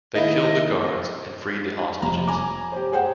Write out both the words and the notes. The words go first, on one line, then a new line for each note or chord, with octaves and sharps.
They killed the guards and freed the hostages.
D#3 A#3 E4 D#5
F1 A#5
G#5 A#5 D6
G4 C5
G#4 C5 F#5 G5